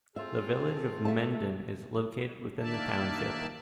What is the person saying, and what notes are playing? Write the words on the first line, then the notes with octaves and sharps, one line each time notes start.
The Village of Mendon is located within the township.
C4 F4 G#4 A4 E5
A3 E5 A5
D#3 A#3 D4 D5 E5 A5